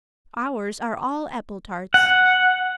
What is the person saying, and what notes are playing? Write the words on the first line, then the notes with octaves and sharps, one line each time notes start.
Ours are all apple-tarts.
F#5